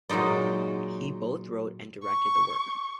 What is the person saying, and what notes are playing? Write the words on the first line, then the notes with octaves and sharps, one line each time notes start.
He both wrote and directed the work.
A#2 F#3 G#3 D#4 D5
C#6